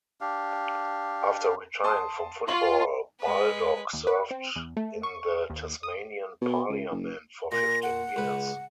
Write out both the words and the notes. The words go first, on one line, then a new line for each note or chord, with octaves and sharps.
After retiring from football, Baldock served in the Tasmanian Parliament for fifteen years.
D4 G4 F5
A5 C6 D#6
F4 C6 C#6 F#7
G#3 B4
D#2
B4
C4
E2
A3
C#6
D#2
D#6
B2
C#2
F#1
A#2 A#6
F#5
C#2 B4